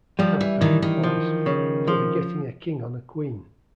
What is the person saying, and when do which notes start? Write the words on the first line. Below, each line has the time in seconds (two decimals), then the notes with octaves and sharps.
Cathbad replies, "for begetting a king on a queen".
0.19 F3 G3
0.41 E3
0.61 D#3 E3
0.82 D#3
1.03 F3
1.46 C#3
1.87 F3